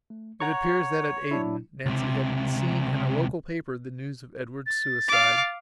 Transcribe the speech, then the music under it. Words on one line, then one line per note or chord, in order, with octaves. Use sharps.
It appears that at Aden Nancy had seen in a local paper the news of Edward's suicide.
A3
C#5 F#5 A#5 C#6
F#3 D4 E4
C#2 C3
A6
F5 D6